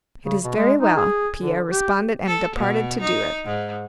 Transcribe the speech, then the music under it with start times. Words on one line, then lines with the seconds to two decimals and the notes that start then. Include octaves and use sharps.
"It is very well," Pierre responded; and departed to do it.
0.25 C#3
0.44 B2
0.56 G#3
0.81 D#4
0.96 G#4
1.38 D3
1.71 G4
2.27 A4
2.56 B2
3.02 D#4
3.45 G#2